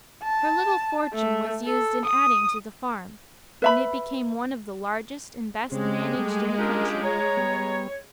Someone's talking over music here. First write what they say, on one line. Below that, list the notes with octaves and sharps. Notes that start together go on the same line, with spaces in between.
Her little fortune was used in adding to the farm, and it became one of the largest and best managed in the country.
A5
A3
A4
D#6
B4 E5 B5
C#3 G#3 C4 G4
G3 A3
C#4 D4 F4 G4 A#4
C#5 A#5
G3 B3